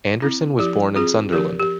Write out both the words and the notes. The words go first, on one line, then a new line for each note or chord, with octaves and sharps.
Anderson was born in Sunderland.
C4 E4
F3 E4 G4
C4 F4 G#4
F3 G4 A#4
G4